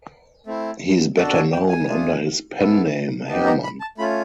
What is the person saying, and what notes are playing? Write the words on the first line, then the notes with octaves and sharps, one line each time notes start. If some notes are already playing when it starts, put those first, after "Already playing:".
He is better known under his pen-name Hermann.
A3 C4 E4
D4 F#4 A4 A5
G#5
G5
G#5
A3 D4 F4 G#4
B3 E4 A4
B3 D#4 G4 A5
A#5
B5
A5
A3 C#4 F4 B5